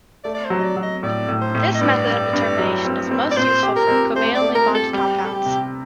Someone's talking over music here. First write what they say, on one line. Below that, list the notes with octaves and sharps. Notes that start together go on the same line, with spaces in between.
This method of determination is most useful for covalently bonded compounds.
A3 D5
D5
C5
F#3
D#5
D5
F#3
D#5
A2 D5
A2
C5
A2
D#5
G2 D5
G2
G2
F#3
C4
C4
D5
A#2 C5
G4
A#4
C4
A3 C5
D5
A3
A#4
C4
A4
G3 G4
G3
A4
G4
C3